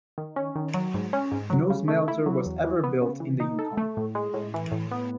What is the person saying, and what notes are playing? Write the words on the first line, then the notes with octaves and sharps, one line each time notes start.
No smelter was ever built in the Yukon.
D#3
C#4
D#3
F#3
G#2
C#4
G#2
F#3
C#3
A3
E4
F#3
E2
E3
B3
C#3
E3
D#4
A4
A3
A2
G#3
A2
E3
A2
B3